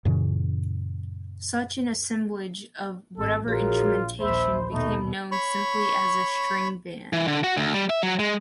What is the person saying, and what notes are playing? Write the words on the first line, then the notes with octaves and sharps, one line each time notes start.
Such an assemblage, of whatever instrumentation, became known simply as a string band.
F#2 A#2 C#3 E3
G#1 A4
A#1 F4 F#4 G#4 A#4 C#5
A#1 D#2 C5 E5 B5
D#2 B2 A3 D#4
C#5 B5 C#6
E3
D3
F#4
D2
G3
E5
F#3
G#3